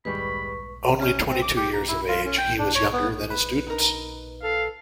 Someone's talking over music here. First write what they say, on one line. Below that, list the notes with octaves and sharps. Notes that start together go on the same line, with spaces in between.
Only twenty-two years of age, he was younger than his students.
D#2 G#2 G3 G#3 B4 B5 C#6
C#4
C4
D6
G4
A#5
E4
F4
C#4
G5
D4
C#5
B3
B4
D#4 A#4
A4 F5